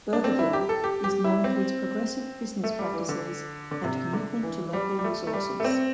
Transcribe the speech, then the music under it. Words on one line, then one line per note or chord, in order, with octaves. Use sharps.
Burgerville is known for its progressive business practices and commitment to local resources.
D4
C4
E4
G4
A4
G4
G4
E4
C4
A3
G3
E3
D3
D3
C3
D3
E3
G3
G3
A3
A3
G3
A3
C4